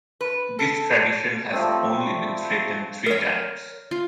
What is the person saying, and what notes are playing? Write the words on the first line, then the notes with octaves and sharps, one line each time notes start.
This tradition has only been threatened three times.
B4
A4
F3 G3 A3 C4
A#4 C#5
F4